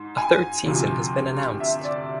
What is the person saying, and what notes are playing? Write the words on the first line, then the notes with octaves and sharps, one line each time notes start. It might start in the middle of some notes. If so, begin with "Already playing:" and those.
A third season has been announced.
Already playing: G#2
G#5
D2 C3 F3
E5
D5